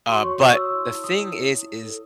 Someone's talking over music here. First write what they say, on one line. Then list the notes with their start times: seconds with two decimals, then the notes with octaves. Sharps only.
uh, but the thing is is
0.09 F#4 C6
0.24 C#5 C#6
0.40 C#5 D#6
0.56 C#5 E6
0.73 E4
0.88 E4
1.03 E4 D#6
1.20 E4
1.36 C#5
1.51 E4
1.67 E4
1.82 A4